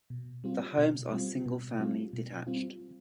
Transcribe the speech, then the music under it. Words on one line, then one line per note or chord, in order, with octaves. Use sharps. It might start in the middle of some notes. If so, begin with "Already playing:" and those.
The homes are single-family detached.
B2
G3 C4 F4
B2
G3 C4 F4
B2
G3 C4 F4
B2
G3 C4 F4